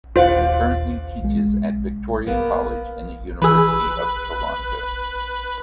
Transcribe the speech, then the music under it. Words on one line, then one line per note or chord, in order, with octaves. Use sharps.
He currently teaches at Victoria College in the University of Toronto.
D#1 F4 C5 D5 F5 F#5
B1 G#3
A#3 B3
E3 G#4 B4 B5 E6